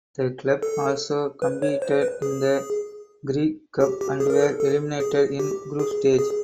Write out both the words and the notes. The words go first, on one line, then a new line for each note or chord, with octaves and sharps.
The club also competed in the Greek Cup and were eliminated in Group Stage.
A4
B4
C#5
C5
B4
G#4
G4
G4
G#4
A#4
A4
A4
G#4
G4
G#4
G#4